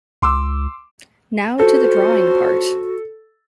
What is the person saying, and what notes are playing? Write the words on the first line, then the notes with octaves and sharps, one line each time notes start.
Now to the drawing part.
C#2 C6 D6 E6
F2 C#4 F#4 A4 C5